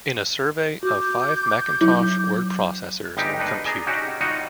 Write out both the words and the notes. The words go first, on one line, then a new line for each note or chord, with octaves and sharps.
In a survey of five Macintosh word processors, Compute!
F#4 D6 G6
F#3 E4
G1 G3 G#3 D#4 G4
D4 D#4 B4
G#4 D5 D#5 A#5
C#4 D#4 F#4 G4
G3 D#4 F4 F#4 C#5 D#5